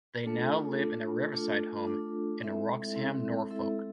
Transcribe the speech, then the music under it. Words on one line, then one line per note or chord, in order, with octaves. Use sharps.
They now live in a riverside home, in Wroxham, Norfolk.
A3 D4 F4 A4
A3 D4 F4 A4
A3 D4 F4 A4
A3 D4 F4 A4
G#3 C4 E4 A4 E5
G#3 C4 E4 A4 E5
G#3 C4 E4 A4 E5